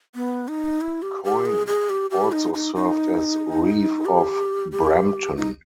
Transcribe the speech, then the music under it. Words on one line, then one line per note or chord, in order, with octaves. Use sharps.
Coyne also served as reeve of Brampton.
B3
D#4
E4
G4
G4
G#4
G#4
G4
G4
D#4
D#4
D#4
G4
G4
D#4